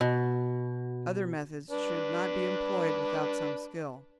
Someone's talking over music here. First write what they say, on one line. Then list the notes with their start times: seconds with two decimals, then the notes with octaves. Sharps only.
Other methods should not be employed without some skill.
0.01 B2
1.71 D4 B4